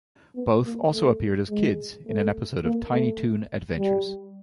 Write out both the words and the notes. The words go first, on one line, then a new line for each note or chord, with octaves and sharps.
Both also appeared as kids in an episode of "Tiny Toon Adventures".
B3
A#3
A3
G#3
A3
A#3
A3
G3